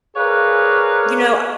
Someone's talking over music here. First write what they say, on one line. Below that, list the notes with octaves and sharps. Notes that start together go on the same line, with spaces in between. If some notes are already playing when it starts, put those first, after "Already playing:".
you know, I
G#4 A#4 B4 C#5 D5 F5